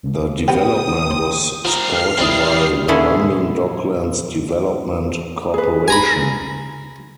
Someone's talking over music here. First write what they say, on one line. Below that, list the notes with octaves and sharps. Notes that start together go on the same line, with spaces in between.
The development was supported by the London Docklands Development Corporation.
C3 B3 C4 G5 D#6
C5
C4 F4 A#4 F6 C7
E3 G3 C4 E4 D5 D#6
A#2 D3 C#4 E4 G#4 A4
G#4 B4
G#5 A#5 B5